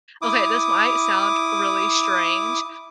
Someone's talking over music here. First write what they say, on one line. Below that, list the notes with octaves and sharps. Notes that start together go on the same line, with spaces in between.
okay this might sound really strange
E4 D6 D#6